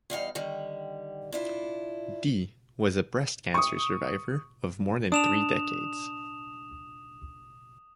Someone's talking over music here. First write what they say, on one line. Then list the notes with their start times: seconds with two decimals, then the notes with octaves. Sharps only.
Dee was a breast cancer survivor of more than three decades.
0.10 E2 G3 D#4 F5
0.35 D3 D#3 G3
1.32 D4 E4 F4
3.54 C#6 D#6
5.12 D4 D#6 E7 F7